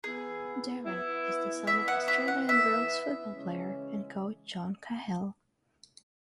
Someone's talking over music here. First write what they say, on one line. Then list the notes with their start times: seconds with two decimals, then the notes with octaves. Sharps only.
Darren is the son of Australian rules football player and coach John Cahill.
0.04 E3 B3 E4 G#4
0.85 E3 B3 E4
1.67 E3 B3 E4 E5
1.88 F#5
2.08 E5
2.28 F#5
2.49 E3 B3 E4 E5
3.31 C#3 E3 G#3 C#4